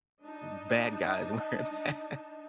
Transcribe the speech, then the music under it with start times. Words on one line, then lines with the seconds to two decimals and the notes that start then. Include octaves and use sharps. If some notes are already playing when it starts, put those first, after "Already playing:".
bad guys wearing masks.
0.23 D4 D#4 D#5 A5